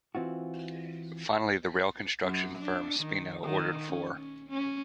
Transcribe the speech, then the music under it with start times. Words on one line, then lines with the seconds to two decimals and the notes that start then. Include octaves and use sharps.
Finally, the rail construction firm Speno ordered four.
0.15 E3 C4 F4 F#4
2.23 F#2
2.58 D4
2.99 D#3
3.44 D#3
3.89 C#4
4.18 C#4
4.49 C#4